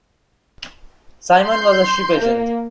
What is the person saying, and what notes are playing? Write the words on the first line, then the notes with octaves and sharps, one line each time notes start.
Simon was a ship agent.
C6 G6
A#3